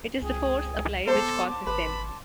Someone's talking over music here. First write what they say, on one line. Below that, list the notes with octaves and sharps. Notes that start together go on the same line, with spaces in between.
It is the force applied which causes them.
C#2 G#4 G5 G#5
B3 A4 C5 A5 C6 D6
G#1 B4 B5